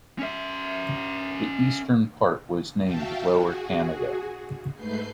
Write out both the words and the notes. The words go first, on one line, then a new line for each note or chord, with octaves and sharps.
The eastern part was named Lower Canada.
C#4 E5
F#4 E5 F5 G5 A5
F#4 G#4
G#2 A3 B4 G6 C7